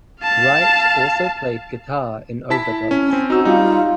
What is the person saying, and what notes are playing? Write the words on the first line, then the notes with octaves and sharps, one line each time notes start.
Wright also played guitar in overdubs.
F5 A5
E4 A5 B6
C#4
C4 C#4
D#4 F#4 E6
G3 D#4 F4